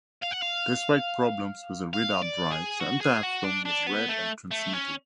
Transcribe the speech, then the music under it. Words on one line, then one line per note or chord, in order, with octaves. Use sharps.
Despite problems with the readout drive the entire film was read and transmitted.
F5
F#5
F5
F5
D5
G#4
F#4
G#4
F#4
D4
D4
B3
A3
A3
C#4